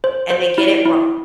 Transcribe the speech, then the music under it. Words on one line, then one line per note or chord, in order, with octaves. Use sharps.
and they get it wrong,
C5
C5
E4
E4